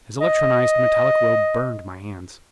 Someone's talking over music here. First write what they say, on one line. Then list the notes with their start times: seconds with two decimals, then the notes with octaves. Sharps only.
His electronized metallic robe burned my hands.
0.21 D#5